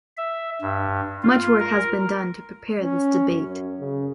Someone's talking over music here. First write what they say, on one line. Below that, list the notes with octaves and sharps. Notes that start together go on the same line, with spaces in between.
Much work has been done to prepare this debate.
E5
G2
F4
A#4
C#4
F#2
C#3